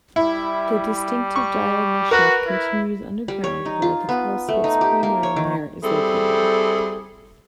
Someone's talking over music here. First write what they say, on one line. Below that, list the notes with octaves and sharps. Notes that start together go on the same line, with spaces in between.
The distinctive diagonal shaft continues underground, where the telescope's primary mirror is located.
G3 E4
C#6
F#4 A#4 B4
E4
G3
C#5
D#4
F4
B3
A3
D#4
G4
A#3
C#5
D#3
G3 C4 E4 G#4 A4